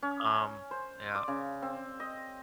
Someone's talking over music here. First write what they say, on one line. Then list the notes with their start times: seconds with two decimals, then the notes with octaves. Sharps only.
um yeah,
0.02 C#4
0.71 C5
1.15 D5
1.28 C#3
1.62 C4
2.00 D#5